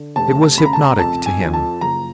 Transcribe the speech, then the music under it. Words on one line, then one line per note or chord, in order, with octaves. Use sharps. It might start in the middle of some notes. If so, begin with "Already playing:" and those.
It was hypnotic to him.
Already playing: D3
F1 A5
C#3 B5
A#5
A5
A#5
F2 A5
G#5
F3
A5
F#1 A#5